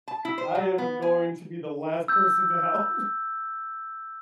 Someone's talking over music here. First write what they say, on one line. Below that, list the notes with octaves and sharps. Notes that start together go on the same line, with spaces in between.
I am going to be the last person to help.
A5
E4
C5
F#3
B3
G#5
E6 G6